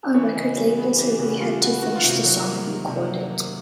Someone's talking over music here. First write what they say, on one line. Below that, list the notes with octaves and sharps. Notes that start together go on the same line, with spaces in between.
Our record label said we had to finish the song and record it.
E3 C#5
C#3 D#5
G3 C#5
B3 G#4
E3 G4
C#3 F#4
G3 F4
B3 F#4
D#3 F#4
F4
C3
F#4
F#3
A#3
D#3
C3
F#3
A#3